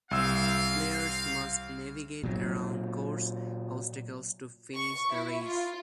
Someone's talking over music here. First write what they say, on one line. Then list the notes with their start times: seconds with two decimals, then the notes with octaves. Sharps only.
Players must navigate around course obstacles to finish the race.
0.11 C2 C4 F5 E6
2.23 A#2 F#3
4.75 C#6
5.13 E4
5.43 F4